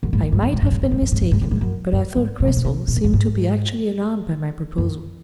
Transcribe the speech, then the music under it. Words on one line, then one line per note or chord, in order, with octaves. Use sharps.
I might have been mistaken, but I thought Cristel seemed to be actually alarmed by my proposal.
F#2
G#2
F#2
G#2
F#2
G#2
F#2
G#2
F#2
G#2
F#2
G#2
F#2
G#2
F#2
G#2
F#2
F#2
G#2
A#2
C3
A#2
C3
A#2
G#2
F#2
G#2
F#2